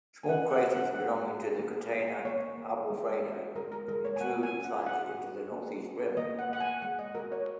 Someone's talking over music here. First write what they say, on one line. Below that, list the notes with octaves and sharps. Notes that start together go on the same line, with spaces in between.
Small craters belonging to the Catena Abulfeda intrude slightly into the northeast rim.
G#5
C#4 F#5
F#5
A#3
F#5
G#3 F#5
F#4
A#3
A#3
A#3 C#5
A#3
G#3
F#4
G#3 A#4
A#4
G#3 A#4
C#5
G#5
A#3 F#5
G#5
C#4
F#5
F#4 F#5
F#4
A#3
F#4
A#3 D#5
F#5
A#3 F#5
G#5
G#3 F#5
D#5
F#4 A#4
C#5